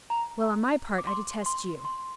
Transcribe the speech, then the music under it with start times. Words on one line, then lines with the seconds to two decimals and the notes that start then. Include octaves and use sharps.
"Well, on my part, I detest you."
0.10 A#5
0.98 D6
1.07 C6
1.46 C6
1.85 C6